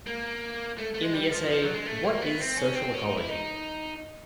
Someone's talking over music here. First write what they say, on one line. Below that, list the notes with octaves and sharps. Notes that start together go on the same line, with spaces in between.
In the essay What Is Social Ecology?
A#3
A3
A3
G#3
G3
F3
F3
F#3
G#3
A3
A#3
B3
C4
C#4
C4
C#4
D#4
E4
D#4